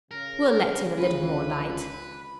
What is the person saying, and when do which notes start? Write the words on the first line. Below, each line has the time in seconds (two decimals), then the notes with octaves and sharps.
We'll let in a little more light.
0.11 C#3 A#4
0.98 C#2 F4 B4